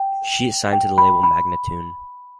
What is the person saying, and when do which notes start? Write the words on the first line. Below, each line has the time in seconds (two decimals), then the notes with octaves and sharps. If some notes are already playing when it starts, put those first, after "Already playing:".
She is signed to the label Magnatune.
Already playing: G5
0.73 G5
0.98 B5
1.23 B5